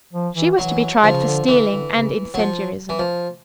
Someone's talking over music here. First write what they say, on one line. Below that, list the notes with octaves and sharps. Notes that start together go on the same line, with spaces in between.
She was to be tried for stealing and incendiarism.
F3
E3
E3 F#3
D3 F3
C#3
D3
D3 E3
D3
C#3
F#3
F3
E3
F3